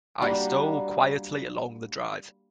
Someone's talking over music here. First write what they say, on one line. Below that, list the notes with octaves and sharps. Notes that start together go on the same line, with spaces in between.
I stole quietly along the drive.
G3 A#3 D4 F#4